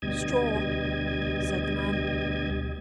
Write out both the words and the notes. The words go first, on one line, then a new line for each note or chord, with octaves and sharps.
"Straw," said the man.
D2 B2 G3 D#5 G#6